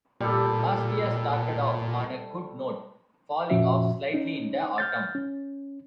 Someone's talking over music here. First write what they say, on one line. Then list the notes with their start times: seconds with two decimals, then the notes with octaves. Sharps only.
Bastia started off on a good note, falling off slightly in the autumn.
0.21 A#2 G3 A4
3.50 F2 A#2 F3 C#4 F#4 E5
4.14 C#4 D#4
4.78 F6 G6 A6
5.15 C#4